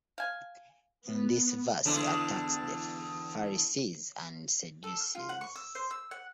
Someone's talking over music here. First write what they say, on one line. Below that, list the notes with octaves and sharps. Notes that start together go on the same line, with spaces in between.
In this verse he attacks the Pharisees and Sadducees.
F5 G#5
B3
E2 D3 D4
A4
F6
F4
F#5
C#6
E6
C5
E6
F#5